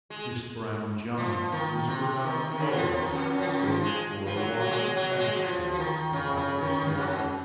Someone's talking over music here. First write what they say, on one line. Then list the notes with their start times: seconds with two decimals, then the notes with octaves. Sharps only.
This brown giant was without clothes save for a wild-cat-skin about his loins.
0.10 G#3
1.17 F3
1.52 D#3
1.87 C3
2.24 D#3
2.51 D#3
2.59 C#3
2.71 F#3
2.76 F3
2.94 D#3
3.12 F2
3.30 F#2
3.41 F3
3.48 D#3
3.58 D#3
3.65 F3
3.83 G#3
4.26 F3
4.36 F#3
4.60 F#3
4.71 G#3
4.95 F#3
5.19 G#3
5.38 F#3
5.42 F3
5.72 F3
5.78 D#3
6.13 C#3
6.37 C#3
6.61 D#3
6.79 D#3
6.85 C#3
6.97 G#2
7.02 F#2
7.11 G#2